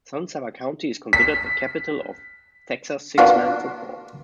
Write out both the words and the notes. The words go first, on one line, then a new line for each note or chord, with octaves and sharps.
San Saba County is considered the Capital of "Texas Six-Man Football".
B6
A#3 B3 D4 F4 F#4